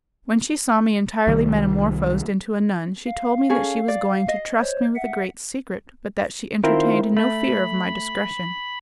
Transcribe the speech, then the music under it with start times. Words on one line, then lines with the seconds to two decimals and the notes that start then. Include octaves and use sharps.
When she saw me entirely metamorphosed into a nun, she told me that she was going to trust me with a great secret, but that she entertained no fear of my discretion.
1.27 C2 D#3 G3
3.06 F5
3.49 C#4 G#4 A4
3.88 D5
4.28 D#5
4.59 C5 C#5
4.95 E5 F#5
6.64 D#3 C4 E4 F4 A#4 C5
7.17 A3 B5